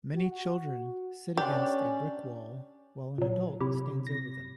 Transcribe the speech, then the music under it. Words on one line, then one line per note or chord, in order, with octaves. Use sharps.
Many children sit against a brick wall while an adult stands over them.
F#4
C#4 D4 G4 D5
A#2 F#3
C3 E4 G4
A#6